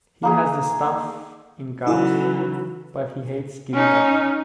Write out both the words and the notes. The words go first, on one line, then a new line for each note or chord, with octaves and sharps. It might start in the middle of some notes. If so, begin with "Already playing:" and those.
He has the stuff in gobs, but he hates giving up.
A#3 D#4 G#4
C#3 E3 F#3 D#4 E4 A4
C#4 D#4